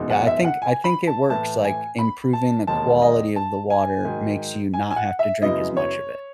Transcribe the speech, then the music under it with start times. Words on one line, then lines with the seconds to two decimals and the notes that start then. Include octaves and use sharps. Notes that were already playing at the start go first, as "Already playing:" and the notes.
yeah, I think I think it works, like, improving the quality of the water makes you not have to drink as much of it.
Already playing: F#1 E2 B2 G#3 D#4
0.10 F#5
0.27 E5
0.45 F#5
0.62 G#5
0.84 B5
1.07 A5
1.30 A2 E3 A3 A5
1.64 G#5
1.99 B5
2.33 A5
2.67 E1 D#2 D#3 G#3 A5
3.02 D#5
3.36 A5
3.70 G#5
4.05 G#2 D#3 F#3
4.74 G#5
4.91 G#5
4.96 F#5
5.19 E5
5.42 F#2 C#3 G#3 B3 E4 D#5
5.77 C#5